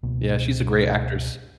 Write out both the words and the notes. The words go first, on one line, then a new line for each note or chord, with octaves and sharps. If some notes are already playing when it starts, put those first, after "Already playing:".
Yeah, she's a great actress.
C#2 B2 A#3